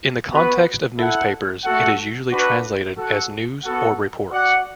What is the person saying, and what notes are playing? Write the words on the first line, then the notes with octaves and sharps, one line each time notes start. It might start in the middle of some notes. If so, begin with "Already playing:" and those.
In the context of newspapers it is usually translated as "news" or "reports".
B3 F#4 B4
E4 A4 F#5
A3 F#4 A4 F#5
D4 F#4 B4
F#4 A4 F#5
B3 F#4 A4 F#5
F#4 D5 F#5